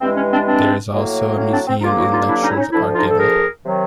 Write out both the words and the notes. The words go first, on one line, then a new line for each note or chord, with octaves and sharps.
There is also a museum, and lectures are given.
G2 E3 G#3 C4
C#4
C4 D4
C4 D4
A2 F#3 A#3
C#4
C4 D4
C4
G2 D3 F#3 A#3 D#4 F4
E4 F#4
D#4 F4
D4 E4
C#4 D#4
E4
C#4 D#4
D2 D3 F3 D4 E4
D#4 F4
A4
G#4 A#4
C3 D#3 F#3